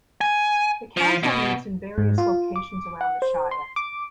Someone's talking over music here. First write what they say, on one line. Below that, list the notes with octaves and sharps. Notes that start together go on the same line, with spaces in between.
The council meets in various locations around the Shire.
G#5
F3
B2
G#2
F4
D6
F#5
C5
C6
D6